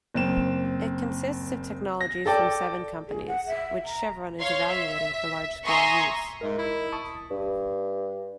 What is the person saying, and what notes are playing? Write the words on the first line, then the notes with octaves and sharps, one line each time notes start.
It consists of technologies from seven companies, which Chevron is evaluating for large-scale use.
F#1 C4 E7
A#6
A4 D5 G5 A5
G#4
F#5
E5
A#5
C#5 F5 C6
E5
E5 G#5 A#5 C6 C#6 D#6
G#2 A#4 D#5 E5
E4
A5 C#6 D#6
G2